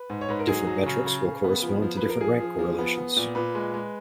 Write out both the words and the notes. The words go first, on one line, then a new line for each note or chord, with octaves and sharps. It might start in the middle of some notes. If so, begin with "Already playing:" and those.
Different metrics will correspond to different rank correlations.
Already playing: B4
G#2
C#5
G#2 B4
A#4
F#3 G#4
F#3
C#3
C#3
C#3
B3
F3
F3
F3 B4
A#4
F3 G#4
F3
F3
B3
B3
A#2
A#2 B4
G#3
G#3